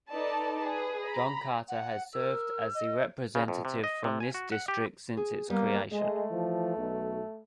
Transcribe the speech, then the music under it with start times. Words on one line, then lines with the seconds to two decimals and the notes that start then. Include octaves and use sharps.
John Carter has served as the representative from this district since its creation.
0.11 D#4 A4 B4 D5 A5
0.60 G#4 B4
1.06 A#5 B5
1.68 F#5
2.14 A#4 E6
2.74 D#5
3.35 C#3
3.48 F2
3.65 C3
3.84 D#5
4.04 C3
4.20 G#5
4.34 F#4
4.52 F#5
4.68 G4
5.17 G#4
5.50 G3 A#3 B3
5.91 G#3 A3 D#5
6.31 E3 F3
6.76 B1